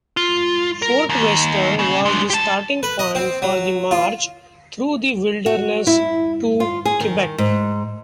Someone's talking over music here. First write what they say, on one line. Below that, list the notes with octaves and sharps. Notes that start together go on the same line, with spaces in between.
Fort Western was the starting point for the march through the wilderness to Quebec.
F4
A#4
D#2
C#3
G#3 D4
G4 A5
B4
D#5
C4
F#3
F4
F#4
E4
F4
G#4
D#3
G#2